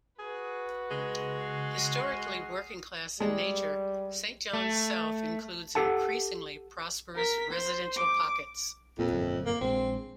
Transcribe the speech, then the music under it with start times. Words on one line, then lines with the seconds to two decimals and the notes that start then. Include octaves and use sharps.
Historically working class in nature, Saint John's South includes increasingly prosperous residential pockets.
0.19 F#4 G#4 B4
0.90 C#3 G#3
1.42 F5
2.39 D#6
3.20 G3 G#3
4.53 A3
5.75 G4 A4 F#5 A5
7.15 A#4 B6
7.51 C5
7.96 D6
8.99 F2 A#2
9.11 G1 F#2 A#2
9.46 A#3
9.61 A#1 G#3 C4